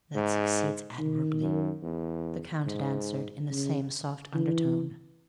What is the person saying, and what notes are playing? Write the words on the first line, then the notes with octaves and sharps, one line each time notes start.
'That succeeds admirably,' the Count had answered, in the same soft undertone.
G#2
D#3
F#2
E2
G#2
C#3
E3